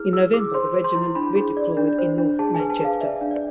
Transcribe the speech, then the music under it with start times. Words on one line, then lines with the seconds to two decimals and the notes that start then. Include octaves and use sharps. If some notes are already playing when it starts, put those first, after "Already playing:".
In November the regiment redeployed in North Manchester.
Already playing: E4 G#4 F6
0.13 G#4 E6
0.34 G#4 D6
0.54 C5 C6
0.74 C5
0.84 C6
0.95 E4
1.15 D4 B5
1.36 G#4
1.57 D5
1.77 D4
1.98 C5
2.18 D4
2.39 G#4 A5
2.55 B4 G#5
2.70 A5
2.81 G#4 F5
3.01 D5 E5
3.21 D4
3.31 D5